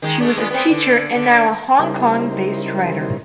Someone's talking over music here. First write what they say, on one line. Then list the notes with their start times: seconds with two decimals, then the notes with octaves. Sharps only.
She was a teacher and now a Hong Kong-based writer.
0.02 D#3 G#3
0.20 G#3 A3 D4
0.37 G#3 B3 F4
0.50 B3 C4
0.70 D3
1.16 D3
1.79 C#3 G3 D#4 E4 A#4 C5